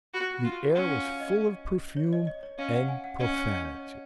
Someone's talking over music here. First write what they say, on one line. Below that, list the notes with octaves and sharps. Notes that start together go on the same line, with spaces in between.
The air was full of perfume and profanity.
F#4 B5
F4
C#4 F#5
F5
F5
D#5
C#5
D#5
D#5
C#5
C#4 F5
F#5
G#5
F#5
C#4 D#5
C#5
D#5
C#5